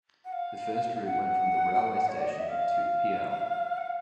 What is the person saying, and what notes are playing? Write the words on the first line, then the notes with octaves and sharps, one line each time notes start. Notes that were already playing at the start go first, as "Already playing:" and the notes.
The first route went from the railway station to pl.
F#5
F5
F#5
C#5
D5
D#5
E5
F5
F#5
F5